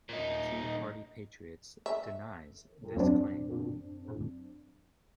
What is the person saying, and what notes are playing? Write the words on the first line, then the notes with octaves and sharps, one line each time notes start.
Tea Party Patriots denies this claim.
A#2 D#4
E5
F#2 C4 D4